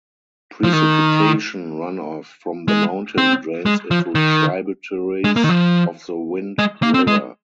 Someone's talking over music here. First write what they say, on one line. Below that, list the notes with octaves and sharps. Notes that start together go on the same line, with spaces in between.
Precipitation runoff from the mountain drains into tributaries of the Wind River.
F3
D#3
G#3
C4
G#3
F3
D#3
G#3
A#3
D#3
F3
G#3
A#3
C4
G#3